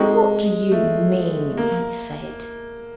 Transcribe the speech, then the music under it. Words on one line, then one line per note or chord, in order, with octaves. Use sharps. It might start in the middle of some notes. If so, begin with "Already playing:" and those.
'What do you mean?' he said.
Already playing: G#3 C4 D#4 F#4 A4
A3
A#3